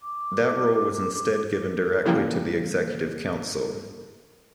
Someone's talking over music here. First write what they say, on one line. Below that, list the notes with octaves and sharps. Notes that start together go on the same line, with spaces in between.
That role was instead given directly to the Executive Council.
D6
C#3 E3 F3 G3 A#3